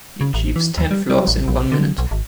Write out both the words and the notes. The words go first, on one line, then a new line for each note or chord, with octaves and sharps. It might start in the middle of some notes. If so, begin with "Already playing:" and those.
He achieves ten floors in one minute.
C#3
A1
E3
D#2
G3
G3
A1
A#1
D3
B1
G#1